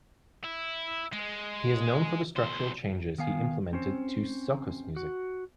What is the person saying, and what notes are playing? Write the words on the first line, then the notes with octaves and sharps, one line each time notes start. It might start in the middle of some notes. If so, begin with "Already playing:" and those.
He is known for the structural changes he implemented to soukous music.
E4
G#3
E2 C5
D#3 B3 F5 G#5
C4 C#4 C5
F#4